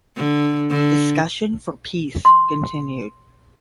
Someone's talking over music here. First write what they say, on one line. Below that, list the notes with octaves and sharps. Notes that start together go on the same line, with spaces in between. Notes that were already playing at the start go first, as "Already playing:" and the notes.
Discussion for peace continued.
D3
D3
C6